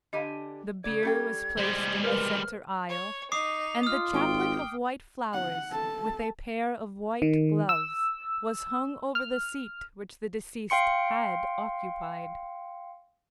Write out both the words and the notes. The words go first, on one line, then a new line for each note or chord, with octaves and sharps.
The bier was placed in the centre aisle, and the chaplet of white flowers, with a pair of white gloves, was hung over the seat which the deceased had occupied.
D3 G4 D#5 F5 G#5
C#3 F#3 D5 G#6
G3 C#4 A4 G5
A#2 G3 G#3 C5
A#4 B4 F5 F6
C#5
D#4 D6 D#6 C7 F7
F4 D#6 F6
G#1 G5
F#5
A4 A5
D#3
E6
F6
F5 G5 C6 C#7